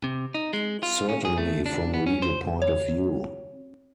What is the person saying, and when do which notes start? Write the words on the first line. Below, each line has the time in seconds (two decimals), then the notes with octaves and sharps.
Certainly from a legal point of view.
0.04 C3
0.34 D#4
0.53 G#3
0.83 F4
1.09 C#4
1.25 G#4
1.38 A3
1.66 D4
1.94 B3
2.06 C#4
2.22 C5
2.62 C#5